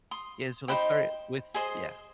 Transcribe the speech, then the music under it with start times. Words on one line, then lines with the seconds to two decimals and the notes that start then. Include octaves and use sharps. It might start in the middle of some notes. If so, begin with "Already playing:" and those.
Yeah, so let's start with yeah.
0.11 C6 D#6
0.68 D#4 G4 C5 D#5 G5 B5
1.54 G#4 C5 D#5